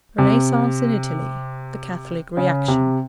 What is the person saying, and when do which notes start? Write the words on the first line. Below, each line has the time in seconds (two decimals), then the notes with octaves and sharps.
Renaissance in Italy: The Catholic Reaction.
0.18 C3
2.37 C#3
2.68 C3